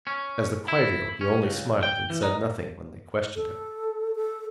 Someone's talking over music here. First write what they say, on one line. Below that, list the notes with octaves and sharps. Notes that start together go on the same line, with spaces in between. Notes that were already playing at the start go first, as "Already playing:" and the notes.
As the Kwairyo, he only smiled and said nothing when they questioned him.
C#4
E4
C#4
C#2
G5
E3
D#4
A4
A4